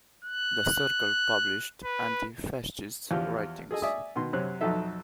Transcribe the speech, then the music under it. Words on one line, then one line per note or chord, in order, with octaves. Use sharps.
The circle published anti-fascist writings.
F#6
B4
E2 F3 G4 F6
G#4 A4 D#5 G#5
D5 E5 G#5 D#6
B2 D#3 C6
F#2 C3 C5 C#5 F#6
B1 F2 F#3 D#4 A4 E5